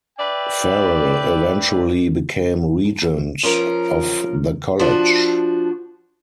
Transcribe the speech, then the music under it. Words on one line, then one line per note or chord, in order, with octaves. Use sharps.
Farel eventually became regent of the college.
B4 D5 E5 G5
F3 C#4 A#4
F3 D4 F#4